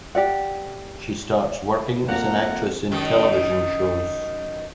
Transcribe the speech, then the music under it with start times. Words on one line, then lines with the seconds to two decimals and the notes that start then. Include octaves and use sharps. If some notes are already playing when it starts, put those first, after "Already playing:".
She starts working as an actress in television shows.
0.15 G4 D5 F#5
2.09 F2 F3 A#3 F4 F#5 A#5
2.91 F#2 D#3